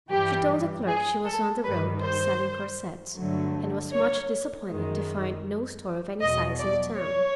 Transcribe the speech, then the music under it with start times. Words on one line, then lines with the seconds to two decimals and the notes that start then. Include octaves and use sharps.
She told the clerk she was on the road, selling corsets, and was much disappointed to find no store of any size in the town.
0.11 G2 E3 G3 G4
0.87 G#4
1.25 A4
1.63 G2 D#3 G3 B4
2.01 C5
3.16 G2 D3 F#3 A3
3.92 C#5
4.68 F#2 D#3 G#3
6.21 E2 B2 F#3 D#5
6.59 D5
6.98 C#5